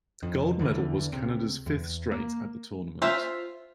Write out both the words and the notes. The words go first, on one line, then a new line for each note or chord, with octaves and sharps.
The gold medal was Canada's fifth straight at the tournament.
F2
E2 D3 E3
C#2 C3
E2
A#3
F4 C5 E5